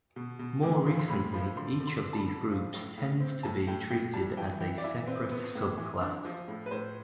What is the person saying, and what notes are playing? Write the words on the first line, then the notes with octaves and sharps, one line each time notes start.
More recently each of these groups tends to be treated as a separate subclass.
B2
B2
A2 D6
F3 C6
C6
A2 B5
F3 B5
D3 C6
D3
C6
D3
A5
B5
D3
F3
A2
A2
C4
A2 A5
A2 G5
A2 G5
G3 A5
E3 G5
E3 G5
D5
E3 E5
C4 B4
B3
A2
E3
D4
F3
A2
B4
A2 C5